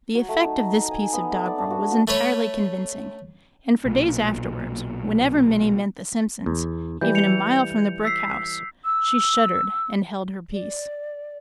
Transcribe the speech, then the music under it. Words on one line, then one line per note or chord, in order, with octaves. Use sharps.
The effect of this piece of doggerel was entirely convincing, and for days afterwards whenever Minnie met the Simpsons even a mile from the brick house she shuddered and held her peace.
F#3
A3
D#4
A#5
A#5
G#5
B3
A3
D5
D4
F#4
F#4
A3 B4 C#5
B1 A#2
E2
E3 G3 G6
C#7 F7
E6 B6 C7
E6
D5